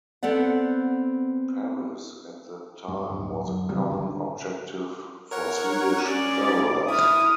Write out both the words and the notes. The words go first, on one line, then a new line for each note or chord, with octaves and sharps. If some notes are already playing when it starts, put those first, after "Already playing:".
Paris at that time was a common objective for Swedish travelers.
B3 C4 A4 D5 F#5
G2
D1
F#2
D#2 C3 F#3 G3
G#1 E2 D3
A#4 C#5 F#5
C#4 D5
E4 D#6 F6